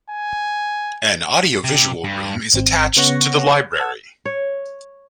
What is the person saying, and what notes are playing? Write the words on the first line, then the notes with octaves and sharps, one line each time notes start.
An "Audio Visual Room" is attached to the library.
G#5
C3
G2
G#1 C4
C#3 B3 C#5 F#5 C#6 A#6
F#5 A5 E6 G#6
C#5